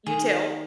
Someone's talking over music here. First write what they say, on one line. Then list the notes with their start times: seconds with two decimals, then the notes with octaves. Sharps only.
You too.
0.06 D#3 G#4